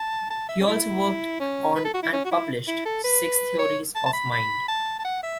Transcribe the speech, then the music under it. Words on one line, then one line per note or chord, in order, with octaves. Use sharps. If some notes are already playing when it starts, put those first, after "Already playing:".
He also worked on and published "Six Theories of Mind".
Already playing: A5
A5
E5
C#4
E4
C#4
B4
A4
F#4
E4
C#4
F#4
E4
E4
A4
B4
C#5
A5
A5
B5
B5
A5
A5
F#5
E5